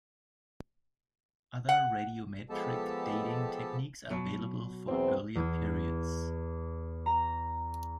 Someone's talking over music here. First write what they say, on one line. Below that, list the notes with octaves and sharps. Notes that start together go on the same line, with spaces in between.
Other radiometric dating techniques are available for earlier periods.
F#5
F3 G#3 B3 G4 A4 A5
B2 F#3
E2 C4
E2
A#5